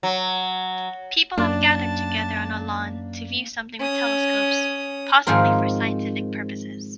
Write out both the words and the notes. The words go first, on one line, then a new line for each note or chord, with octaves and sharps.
People have gathered together on a lawn to view something with telescopes, possiblly for scientific purposes.
F#3
F#2 A#3 D4 A5
C#4 D#6
G#2 D#3 F3 C4 A#4